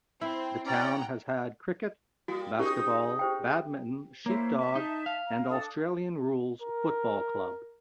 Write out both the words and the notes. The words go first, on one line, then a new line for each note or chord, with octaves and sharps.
The town has had cricket, basketball, badminton, sheep dog and Australian rules football clubs.
C4 E4
C#4 D5 F#5 G5 A#5
G3 A#3 F#4
C4 C#4 D#4 G4 G#4 A#4
G4 C5 G5
A#3 E4 C5 C#5
E5 A5
D#4
F5
A#5
D4 A4 D#6
A#4